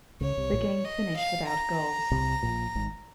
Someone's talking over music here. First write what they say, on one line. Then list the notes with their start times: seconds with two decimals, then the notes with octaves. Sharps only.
The game finished without goals.
0.21 C#2 C#3 C#5
0.37 C2 C3
0.52 A#1 A#2
0.85 D#5
1.16 F5
1.48 A#5
2.11 C2 C3
2.43 A#1 A#2
2.75 G#1 G#2